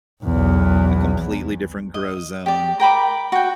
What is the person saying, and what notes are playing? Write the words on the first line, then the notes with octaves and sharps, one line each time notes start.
A completely different grow zone,
B1 E2
D#5
G4 D5
A#4 G5 B5 D6
F#4 G5